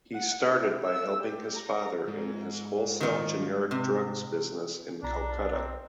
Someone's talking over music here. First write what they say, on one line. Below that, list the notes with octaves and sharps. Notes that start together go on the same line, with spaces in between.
He started by helping his father in his wholesale generic drugs business in Kolkata.
F#5
D4 E4
A3 E6
G4
A#5
G#2
D#3 F3
C3
B1 D4 A#5
C4